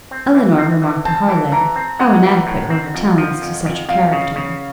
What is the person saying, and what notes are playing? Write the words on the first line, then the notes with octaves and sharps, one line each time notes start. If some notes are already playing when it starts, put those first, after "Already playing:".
Elinor remarked to Harleigh, how inadequate were her talents to such a character.
C4
E3
C4
E3
C4 A5
E3
E3 A#5
C4
G#3 F#5
E3
A2
C4
F2
F3
F2
F2
F2 F5
C#3
C#3